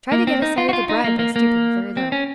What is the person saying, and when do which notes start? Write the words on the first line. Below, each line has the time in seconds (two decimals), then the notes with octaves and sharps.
"Try to get a sight of the bride by stooping very low."
0.12 A#3
0.27 C4
0.42 D#4
0.58 F4
0.69 F#4
0.73 F4
0.89 D#4
1.04 A#3
1.19 A#3
1.36 A#3
1.97 C4
2.12 C#4